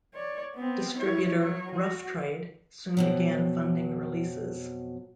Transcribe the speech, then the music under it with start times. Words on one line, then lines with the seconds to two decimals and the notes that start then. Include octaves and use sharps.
Distributor Rough Trade soon began funding releases.
0.14 C#5 D5
0.55 B3 C4
0.96 E4 C#5
1.41 F#3 C#5
1.71 F#4
2.97 F2 B2 F#3